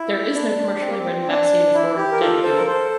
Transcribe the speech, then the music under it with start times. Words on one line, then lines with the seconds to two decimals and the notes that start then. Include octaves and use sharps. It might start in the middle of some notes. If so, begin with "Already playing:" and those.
There is no commercially ready vaccine for dengue.
Already playing: E4
0.34 D4
0.80 C4
0.89 A#3
0.97 C4
1.27 D4
1.74 E4
1.97 G4
2.12 A#4
2.20 F4 A4
2.43 A4 C5
2.57 A#4
2.67 A4 C5